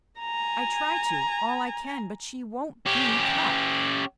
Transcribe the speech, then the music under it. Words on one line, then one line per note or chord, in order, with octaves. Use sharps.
"I try to, all I can; but she won't BE cut."
G#5 A#5
C#4 G4